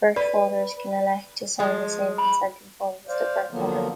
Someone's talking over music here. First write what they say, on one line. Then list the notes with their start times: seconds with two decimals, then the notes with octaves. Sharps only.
Birth fathers can elect to sign the same consenting forms as the birth mother.
0.16 B4 D5
1.59 F3 G#3
2.18 B5
3.08 C5 D5 F5
3.51 D3 F3 F#3 A#3 B3